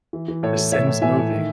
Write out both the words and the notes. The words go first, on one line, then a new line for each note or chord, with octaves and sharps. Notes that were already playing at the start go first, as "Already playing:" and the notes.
The Sims movie
E3
E3
A2 A4 C#5
E3
E3 C#5 E5
A2
E3 E5 G#5
A2
D#3